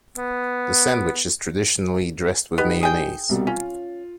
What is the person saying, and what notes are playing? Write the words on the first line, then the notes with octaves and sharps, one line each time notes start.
The sandwich is traditionally dressed with mayonnaise.
B3
B3 D#4 G4 D#5
G#4 G5
C2 B2 G3
C#4 F4